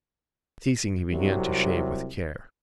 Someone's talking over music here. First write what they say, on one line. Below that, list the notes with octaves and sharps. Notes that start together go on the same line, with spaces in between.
Ceasing, he began to shave with care.
C2 C3 F#3